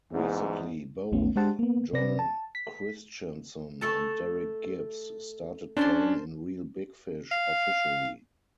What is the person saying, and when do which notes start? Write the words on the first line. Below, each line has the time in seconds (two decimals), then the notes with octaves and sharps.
Recently both John Christianson and Derek Gibbs started playing in Reel Big Fish officially.
0.12 E2 G#2
1.12 A1 D#2 A3 B3 C#4
1.36 G#3 D4 G4 C5 F#5 A5
1.59 A#3 B3
1.93 C3 C4 B4 D5 A#6
2.19 A5
2.55 B6
3.81 A3 A4 A5
5.77 C#4 D4 C5 A5 C6
7.32 F5